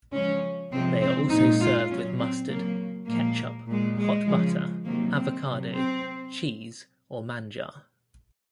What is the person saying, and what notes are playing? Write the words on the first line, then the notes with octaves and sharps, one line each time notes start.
They are also served with mustard, ketchup, hot butter, avocado, cheese or manjar.
C#3 F3 G#3 C#4
C3 F3 G#3 C4
C4
A#2 G#3 D#4
F4
A#2 F#3 C#4
C4
C#3 F#3 A#3
A#2 F3 G#3 A#3
A#2 G#3
G#3
C#3 F3 G#3
C3 D#3 F#3 A#3
C4
C3 F#3
C4